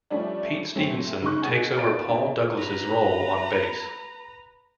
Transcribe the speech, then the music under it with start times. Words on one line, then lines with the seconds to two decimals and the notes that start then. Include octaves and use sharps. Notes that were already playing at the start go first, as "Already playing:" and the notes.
Pete Stevenson takes over Paul Douglas' role on bass.
0.10 F3 G3 A3 C#4 D4
0.76 F#3 A3 C4 C#4
1.22 C#3 G#3 D#4 C#6 F#6
1.42 B2 G#4 F#5 G#5
1.77 B3 B4 D5 A6 D7
2.09 B2
2.57 B4 A#5